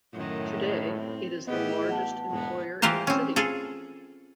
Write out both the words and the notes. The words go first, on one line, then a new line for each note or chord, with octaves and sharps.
Today, it is the largest employer in the city.
F#2 A2 D#3
C4
A2 E3 B3 E4 G4 G#4 D#5
B3 F#5 A5
E1 G#2 B3
E3 F4 G4 A#4 C5
C4 C#4
F4 G#4 A4